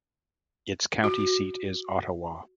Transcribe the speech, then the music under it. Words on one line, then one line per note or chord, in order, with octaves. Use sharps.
Its county seat is Ottawa.
F#4